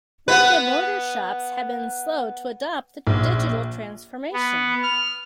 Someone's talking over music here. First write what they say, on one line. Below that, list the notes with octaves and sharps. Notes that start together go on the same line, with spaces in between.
Brick and mortar shops have been slow to adopt digital transformation.
B3 B4
A#1
B3
F6